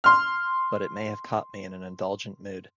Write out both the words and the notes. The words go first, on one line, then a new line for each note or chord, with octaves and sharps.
But it may have caught me in an indulgent mood.
C6 F6